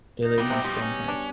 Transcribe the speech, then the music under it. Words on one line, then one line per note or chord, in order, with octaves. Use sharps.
They live in Stonehouse.
D#4
C#3 F3 B3 F#4 G4
C3 G3 C4
A#2 F3 G3 G4
C#4
D4